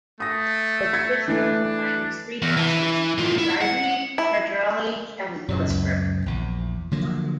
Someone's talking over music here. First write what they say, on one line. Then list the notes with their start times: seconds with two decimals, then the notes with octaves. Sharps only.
The district comprises three tehsils: Jagadhri, Chhachhrauli and Bilaspur.
0.20 A3 D#6 A#6
0.93 E6 G#6 C#7
1.28 E3 A3 D4 B4
2.42 E2
2.57 E3
3.18 A2 F4
3.38 E4
3.61 F#5
4.18 E4
5.48 F#2 A#2 C#3
5.69 C#2 F#2
6.26 A#1 E2
6.91 D3 F3 F#3 A#3